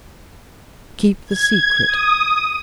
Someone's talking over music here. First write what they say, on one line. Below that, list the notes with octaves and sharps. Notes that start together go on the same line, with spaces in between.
Keep the Secret.
G#6
D#6